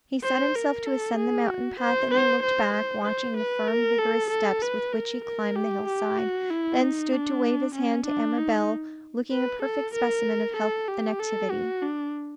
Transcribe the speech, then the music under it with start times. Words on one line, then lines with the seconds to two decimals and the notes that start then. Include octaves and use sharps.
He set himself to ascend the mountain path, and they looked back, watching the firm vigorous steps with which he climbed the hill side, then stood to wave his hand to Amabel looking a perfect specimen of health and activity.
0.23 C5
0.55 A#4
0.87 A4
1.17 G#4
1.49 F#4
1.80 C5
2.11 C5
2.43 C5
2.74 C5
3.05 C5
3.37 B4
3.68 A#4
3.99 A4
4.30 A4
4.62 B4
4.93 A#4
5.24 A#4
5.56 G4
5.87 G4
6.18 F#4
6.50 E4
6.81 D#4
7.13 D4
7.75 C#4
8.06 D4
8.38 D#4
9.32 B4
9.63 A4
9.95 A#4
10.57 A4
10.88 G4
11.20 A4
11.51 F#4
11.82 D4